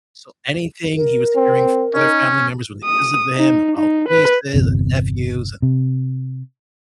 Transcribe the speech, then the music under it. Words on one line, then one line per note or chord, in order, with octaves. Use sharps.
so anything he was hearing from other family members when they visited him about nieces and nephews and
A#4
C4
C#4 D#4
D#6
D#4
D#4
B4
G1 E2 C3
C3